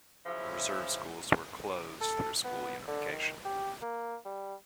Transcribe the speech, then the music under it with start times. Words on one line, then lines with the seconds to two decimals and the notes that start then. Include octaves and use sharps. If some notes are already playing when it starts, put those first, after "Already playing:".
Reserve schools were closed through school unification.
0.24 C#3 F3 F#3 E4 E5
2.01 A4
2.45 B3
2.88 D3
3.12 D#3
3.45 G4
3.82 A#3
4.25 G3